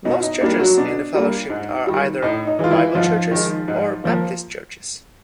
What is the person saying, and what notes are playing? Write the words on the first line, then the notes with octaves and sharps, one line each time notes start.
Most churches in the fellowship are either "Bible Churches" or "Baptist Churches".
B2 D#4
D#4
G3 A#3 D4
F#3 F#4
B2 D4
G3 A#3
G#2
D#3 G3
A2 D#4
D#4
E3 G#3 F4
E3 E4
G#2 F3 F4
D#3 G#3
G#2
F3 A#3